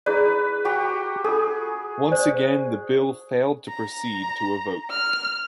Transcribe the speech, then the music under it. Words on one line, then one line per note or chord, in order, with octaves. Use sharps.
Once again, the bill failed to proceed to a vote.
E4 G#4 B4 D5
F#4 G4 A#5
F4 G#4 A4
C5 D5
A#5
F6